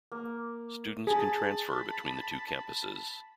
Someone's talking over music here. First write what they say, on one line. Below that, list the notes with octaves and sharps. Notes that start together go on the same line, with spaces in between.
Students can transfer between the two campuses.
A#3
G#4 A5 B5